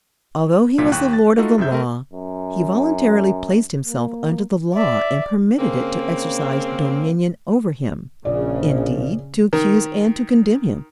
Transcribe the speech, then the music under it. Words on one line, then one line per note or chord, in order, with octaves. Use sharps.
Although He was the Lord of the Law, He voluntarily placed Himself under the Law and permitted it to exercise dominion over Him, indeed to accuse and to condemn Him.
C2 A#2 F#3 B6
D#2 G5 C#6 F#6
A6
A3 D#4 F4 F#4 A4 D#5
F#2 C3 G#4 E5 G6
A3 A#4
F#2
A#3
D5 E5
C#3 A#3 C4
A#1 C#3 D5
D#3